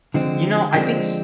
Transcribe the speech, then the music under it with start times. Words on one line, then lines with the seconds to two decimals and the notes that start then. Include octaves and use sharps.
You know, I think s
0.14 D3 F3 G#3 C4
0.74 D3 F3 G#3 C4